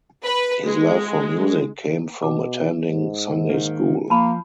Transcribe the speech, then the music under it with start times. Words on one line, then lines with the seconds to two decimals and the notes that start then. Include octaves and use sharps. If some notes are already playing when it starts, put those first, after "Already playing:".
His love for music came from attending Sunday school.
0.24 B4
0.65 G#3
2.23 B2 D6
2.87 G#2
3.50 D#3 A#3
4.10 F3 A#3 A5 B5